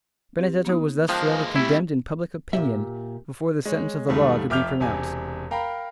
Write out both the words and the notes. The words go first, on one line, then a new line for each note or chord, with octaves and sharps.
Benedetto was thus forever condemned in public opinion before the sentence of the law could be pronounced.
C4 G4
A#3 B3 D#4
F3 G#3 A#3 G5 A5 F#6
B4 D#5 G#5
G3 A3 C4 C#4 E4 G4
A#2 G4 E5
G#3 C#5
D#2 G#2 G3 A3
F1 E5 D6 F6 G6 F7
E1 C3 G#5
A#4 F5 G5 A#5 B5